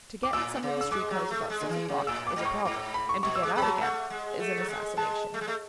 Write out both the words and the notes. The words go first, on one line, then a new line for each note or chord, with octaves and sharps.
To get in some of the street cars about six o'clock is a problem, and to get out again is an assassination.
D6
A2 E6
C#3
E6
G#3 D6
F#3
A3
G#3
D3
E3
C#3
A2 E6
D6
G#2
C#6
G#2 D6
B5
C#6
B2 C#6
E6
G#3 D6
G#3 B5
F#3 A5
A3 F#5
G#3
A3
F#3
G#3
G#3 A5
A3
G#3
A3